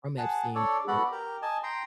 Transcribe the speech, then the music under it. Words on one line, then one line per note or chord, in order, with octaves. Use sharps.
from Epstein through
G#4 F#5 A5
D4 A4 C#5 D5
B3 F#4 A4 D5 F#5 B5
G4 A#4
D#5 G#5 A5
G5 A#5 C6